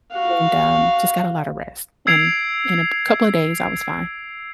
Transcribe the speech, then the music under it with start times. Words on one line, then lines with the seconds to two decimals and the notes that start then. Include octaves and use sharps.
and, um, just got a lotta rest, and in a p couple of days, I was fine.
0.14 F#4 F5
2.07 E6 G#6 C7 D7 F7